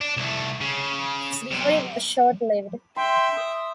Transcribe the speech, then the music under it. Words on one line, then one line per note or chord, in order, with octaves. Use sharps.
His glory was short lived.
D4
C2 A3
C#3
B1 C3
E5 G5 C6
D#6